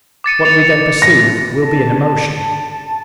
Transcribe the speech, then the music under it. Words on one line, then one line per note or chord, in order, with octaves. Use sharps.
What we then perceive will be an emotion.
D6 A6 C#7 D#7
A6 C#7 F7
A#6
A5